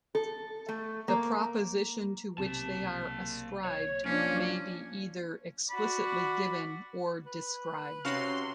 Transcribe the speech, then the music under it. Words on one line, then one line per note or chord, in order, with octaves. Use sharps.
The proposition to which they are ascribed may be either explicitly given or described.
A4
A3
A#3
B1 C3 A#3 A5
C#5
F3 A#3 C#4 D4
F#4 D5 B5
B4
C3 C#4 F#4 F5 C6